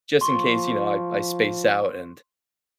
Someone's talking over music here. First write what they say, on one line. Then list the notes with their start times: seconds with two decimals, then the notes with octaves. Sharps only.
just in case, you know, I I space out and,
0.21 F3 C6 C#6